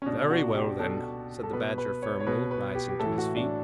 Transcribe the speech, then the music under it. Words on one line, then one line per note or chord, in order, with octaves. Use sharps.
'Very well, then,' said the Badger firmly, rising to his feet.
C#4
B2 D4
F#4
G4
B2 A4
A4
B2 B4
B4
C#5
C#5
B2 B4
B4
G4
G4
A2 E3 A4
F#4
D4